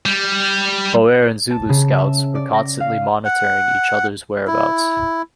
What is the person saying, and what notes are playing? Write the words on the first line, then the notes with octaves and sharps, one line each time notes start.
Boer and Zulu scouts were constantly monitoring each other's whereabouts.
G3
A5
C#3
E5
D5
A#6
F5
F#5
E4